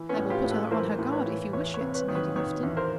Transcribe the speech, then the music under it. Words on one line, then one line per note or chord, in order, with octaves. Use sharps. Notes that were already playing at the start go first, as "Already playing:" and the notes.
"I will put her on her guard if you wish it, Lady Lufton."
Already playing: E3
B3 C#4
A2
F4 G4
A2
A4 B4
E3 A#4 C5
A2
B4 C#5
E3
E2 B4 C#5
B4 C#5
C3
B4 C#5
D#3
B4 C#5
D#3 B4 C#5
E2
A#4 C5